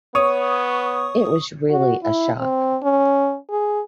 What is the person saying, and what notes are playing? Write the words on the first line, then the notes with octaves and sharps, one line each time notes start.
It was really a shock.
B3 C#5 C#6 D#6
F#4
E4
C4
C#4
G#4